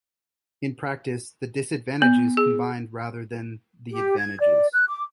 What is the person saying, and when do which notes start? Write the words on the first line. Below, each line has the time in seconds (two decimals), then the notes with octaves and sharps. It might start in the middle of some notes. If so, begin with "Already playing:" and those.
In practice, the disadvantages combined rather than the advantages.
2.02 B3
2.37 G#4
3.91 G4
4.19 G#6
4.39 D5
4.73 F#6
4.87 D6